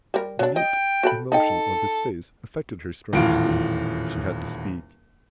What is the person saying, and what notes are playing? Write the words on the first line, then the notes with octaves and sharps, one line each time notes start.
The mute emotion of his face affected her strangely. She had to speak.
G3 A#4
F#3 D4
D#5 G5
F#4 A4 B5
D#4 A4 D#5 G5
D#1 E2 A2 F4 D7